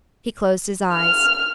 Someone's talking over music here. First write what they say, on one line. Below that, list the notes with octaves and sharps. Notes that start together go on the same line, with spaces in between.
He closed his eyes.
F6